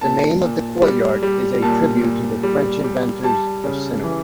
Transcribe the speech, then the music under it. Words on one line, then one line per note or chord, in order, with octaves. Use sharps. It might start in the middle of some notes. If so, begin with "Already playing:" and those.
The name of the courtyard is a tribute to the French inventors of cinema.
A#2 A5
A#2
G3
G3
A#2 A5
A#2
G3
G3
G3 A5
C#3
E3